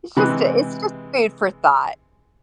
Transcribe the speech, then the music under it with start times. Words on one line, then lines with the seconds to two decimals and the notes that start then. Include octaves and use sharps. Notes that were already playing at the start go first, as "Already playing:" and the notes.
it's just it's just food for thought.
0.17 C3 E3 G#3 B5 F#6